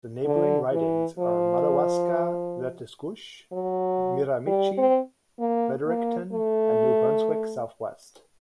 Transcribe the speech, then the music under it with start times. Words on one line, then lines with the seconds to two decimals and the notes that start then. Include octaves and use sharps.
The neighbouring ridings are Madawaska-Restigouche, Miramichi, Fredericton, and New Brunswick Southwest.
0.25 D3
0.72 E3
1.19 F3
3.52 F#3
4.47 G3
4.77 C4
5.39 A#3
5.86 A#3
6.33 A3